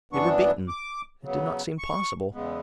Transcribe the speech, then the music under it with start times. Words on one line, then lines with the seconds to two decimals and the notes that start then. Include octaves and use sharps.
They were beaten. It did not seem possible.
0.13 F#2 E3 B3 D4 C#6
0.68 D6
1.23 C#3 F#3 B3
1.79 C#6
2.34 E2 C#3 G#3 B3